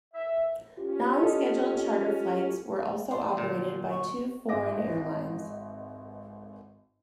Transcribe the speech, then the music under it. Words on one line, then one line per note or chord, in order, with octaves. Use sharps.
Non-scheduled charter flights were also operated by two foreign airlines.
E5
C#4 F4 G4
A4 D#5
C5 D5
G1 A#2
C#6
G#1 D#5 E5 D6 A#6